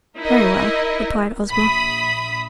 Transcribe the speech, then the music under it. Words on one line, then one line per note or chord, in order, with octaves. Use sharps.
"Very well," replied Ozma.
D#4 E4 A#4 D#5
A#1 E5 B5 D#6